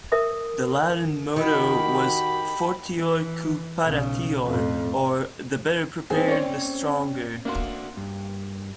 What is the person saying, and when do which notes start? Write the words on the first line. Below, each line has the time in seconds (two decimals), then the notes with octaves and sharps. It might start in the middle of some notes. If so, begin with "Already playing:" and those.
The Latin motto was "Fortior quo paratior" or "The better prepared, the stronger".
0.12 A#4 E5 D#6
1.36 D#3 F#4 G4 B5
2.98 E3
3.86 B1 C#3
4.46 F2 A2
6.10 C4 D#4 G#4
6.28 C#4 C#5 D5 G5
7.45 A#3 D4 F#4 C6
7.97 G2